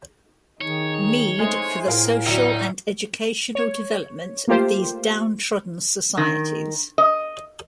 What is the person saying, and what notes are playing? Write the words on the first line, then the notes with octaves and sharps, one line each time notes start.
Mead for the social and educational development of these downtrodden societies.
D#3 D#4 G#4 C#5
G#3 A3 D#4 C5 G#5
A2 F4 G#4 A#4
D2 F#3 D#4 D5 C#7
C#5
A3 A#3 F4 G4 C5
D#3
D#5